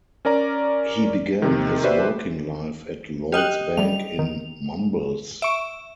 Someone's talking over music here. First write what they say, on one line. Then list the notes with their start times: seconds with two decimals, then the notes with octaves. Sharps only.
He began his working life at Lloyds Bank in Mumbles.
0.25 C#4 A#4 D5 A#5
1.42 C3 D#3
1.83 F#4 G4 B4 C5 D5 E5
3.32 G4 D#5 G5 F6 F#6
3.77 G3 A3 F7
4.19 D#3
5.42 E5 C#6 D7